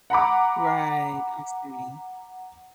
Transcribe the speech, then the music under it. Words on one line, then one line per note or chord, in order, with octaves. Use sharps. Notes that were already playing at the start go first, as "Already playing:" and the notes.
Right, I see.
F#5 A#5 B5 D6